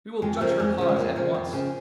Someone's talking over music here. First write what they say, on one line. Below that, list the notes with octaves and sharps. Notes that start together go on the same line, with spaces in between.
'We will judge her cause at once.'
F2 G#3
C#3 F3 A#3
F2 G#3
C#3 F3
G#3
F2 A#3
C#3 F3
F2
C#3 F3